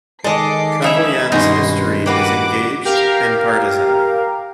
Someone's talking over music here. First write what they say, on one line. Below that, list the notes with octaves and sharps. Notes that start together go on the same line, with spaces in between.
Trevelyan's history is engaged and partisan.
D#3 G#3 A4 D#5 D6 C7
F3 D#4 E5 B5 G#6
G2 B2 D#3 C#4 D#4 C6
A#3 F#4 B4 F#5 D6
G4 A#4 F5